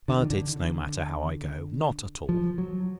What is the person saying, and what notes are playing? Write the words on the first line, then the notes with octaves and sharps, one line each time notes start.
But it's no matter how I go,--not at all.
D3
D#3
D3
F3
F#3